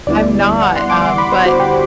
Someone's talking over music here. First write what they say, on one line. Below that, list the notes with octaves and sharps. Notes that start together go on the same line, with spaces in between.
I'm not, um, but, eh,
D2 D3 G3 B3 E4 D5
F#5
C6
D6
C6
B5
C5
F#4
G4